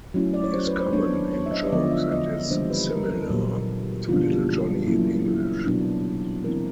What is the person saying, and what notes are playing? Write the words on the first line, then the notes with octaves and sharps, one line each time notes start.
He is common in jokes and is similar to Little Johnny in English.
F#3 A3 C#4 E4
D5
C#5
C5
B4
C5
F#3 B3 D4 C#5
C5
C#5
E5
D#5
D5
D3 F3 G#3 B3 D4 D#5
E5
D#5
C#3 E3 G3 A#3 D4 C5
B4
A#4
A4
A#2 F#3 A#3 G4
C#3 E3 G3 B3 D4 F4
F#3 A#3 C#4 E4
E4
B2 F#3 B3 D4
E3 G#3 C4 E4 A#4